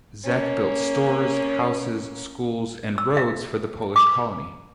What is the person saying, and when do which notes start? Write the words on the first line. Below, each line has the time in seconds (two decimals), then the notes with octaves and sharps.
Zech built stores, houses, schools, and roads for the Polish colony.
0.24 A#3 C#4
2.98 E6
3.17 E5
3.96 D6